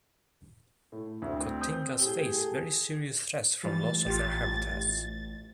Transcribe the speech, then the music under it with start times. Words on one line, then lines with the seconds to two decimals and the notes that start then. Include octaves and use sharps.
Cotingas face very serious threats from loss of their habitats.
0.92 A2
1.22 D2 C4
1.61 D#6 G6
2.00 A2 G4 G#4 G7
2.38 A4
3.63 A2 E3 F3 G3 A6
4.06 A1 F4 G4